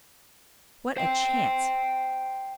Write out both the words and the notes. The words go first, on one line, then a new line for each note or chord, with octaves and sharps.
What a chance!
C5 G5